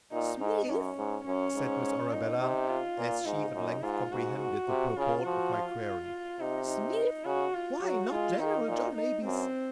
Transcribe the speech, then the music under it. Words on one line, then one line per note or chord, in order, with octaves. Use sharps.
"Smith?" said Miss Arabella, as she at length comprehended the purport of my query; "Smith?--why, not General John A. B. C.?"
A#2 D#4
G#2 D#4
F#2 C#4
G#2
F#2 C#4
G#2
A#2 D#4
C3
F4
A#2
G#2 D#4
F#2
G#2 F4
G#2 F#4
F#4
C3
C#3 F4
F3 F#4
F4
C3 D#4
D#4
C#3 F#4
F4
F#3 F#4
G#3 F4
D#3 D#4
A#2
D#4
F#2 C4